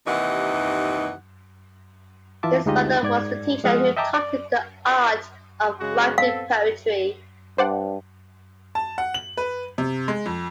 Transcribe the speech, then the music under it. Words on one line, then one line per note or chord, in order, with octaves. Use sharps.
His father was the teacher who taught him the art of writing poetry.
D#2 C3 E3 D#4 F#5
E3 F4 E5 A5 D6
D2 G#3 D#4 F4 G4 D#5
G#2 D5 G#6
F3 G#3 F#5 D#6 F6
D#5 E5 G5 A5 A#5 D6
D5
C#3 G#3 F#4
B3 C4 A4 F5
G2 C5 D5 F#5
A5
F#5
F#7
B4
C3
G#3
F2